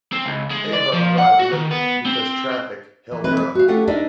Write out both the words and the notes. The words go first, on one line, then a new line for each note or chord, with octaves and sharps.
"Ava arrived late because traffic held her up".
C4
C#2
G#3
D5
F3
F#5
F#4
D#3
B3
C4
E3
C3 E3 A#3 C4 D#4 B4
E5
F#4 F5
A3 C#4 F4 G4 A4 F#5
D4 D#4 A#4 C5 D5 E5